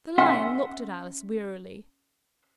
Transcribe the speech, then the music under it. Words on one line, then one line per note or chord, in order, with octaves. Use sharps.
The Lion looked at Alice wearily.
C#4 E5 F#5 C6